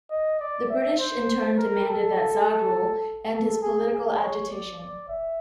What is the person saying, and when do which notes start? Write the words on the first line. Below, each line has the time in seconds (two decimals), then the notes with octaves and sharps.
The British in turn demanded that Zaghloul end his political agitation.
0.11 D#5
0.40 D5
0.70 E5
0.99 C5
1.58 A#4
1.86 A4
3.33 A4
3.61 G#4
3.92 G#4
4.20 C#5
4.50 D5
4.80 D5
5.08 E5